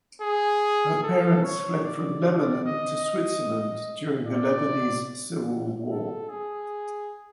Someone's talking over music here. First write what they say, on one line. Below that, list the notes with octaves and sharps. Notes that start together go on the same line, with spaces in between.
Her parents fled from Lebanon to Switzerland during the Lebanese Civil War.
G#4
A4
C#5
D5
D#5
D#5
D5
A4
G#4